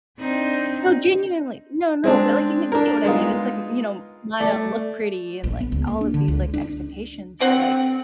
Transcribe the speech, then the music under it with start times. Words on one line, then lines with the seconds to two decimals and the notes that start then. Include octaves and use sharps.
No, genuinely. No no, but, like, you you get what I mean, it's like, y you know, smile, look pretty, and, like, all of these, like, expectations. But like,
0.19 C4 D4 D#4
2.04 G#3 C4 D4
2.72 D4 A#4
3.05 G#3 B3 D#4 F4
4.40 A3 D5
5.44 A#1
5.60 B3
5.72 C#2
5.87 A#3
6.01 D4
6.14 D3
6.28 C#2
6.54 D4
7.40 D3 C4 C5 F#5